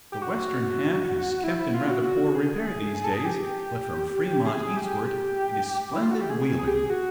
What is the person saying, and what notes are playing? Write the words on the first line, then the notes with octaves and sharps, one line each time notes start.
The western half is kept in rather poor repair these days; but from Fremont eastward it is splendid wheeling.
G4
F#4
E4
E4
F4
F#4
F#4
G#4
G#4
G#4
A4
G#4
G4
G#4
G4
E4
F4
F#4
G4
G#4
G#4
G4
G#4
F#4